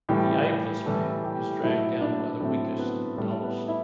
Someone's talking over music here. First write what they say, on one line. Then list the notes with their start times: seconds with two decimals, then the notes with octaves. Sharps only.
The ablest man is dragged down by the weakest and dullest.
0.09 A2 E3 G3 G4
0.86 A2 E3 G3 A4
1.24 G4
1.63 A2 F#3 A3 E4
2.01 D4
2.40 A2 F#3 A3 C4
2.78 B3
3.17 A2 G3 A3
3.43 B3
3.68 E4